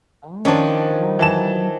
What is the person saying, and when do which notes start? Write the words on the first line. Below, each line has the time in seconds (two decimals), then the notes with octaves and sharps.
Oh, um
0.45 D#3 F3 C#4 D4
1.19 E3 A5 E7